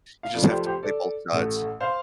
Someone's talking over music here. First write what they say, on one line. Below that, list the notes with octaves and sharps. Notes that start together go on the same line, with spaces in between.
you just have to play both sides.
F5
F2 F3 A3 A4 D5
D5
G4 C5
G4 C5
A4 D5
A1 A2 A3
C5 F5